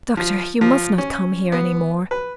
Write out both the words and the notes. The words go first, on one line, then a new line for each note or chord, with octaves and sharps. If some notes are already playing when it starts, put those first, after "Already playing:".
Doctor, you must not come here any more.
F3
F3
C#4
B3
B4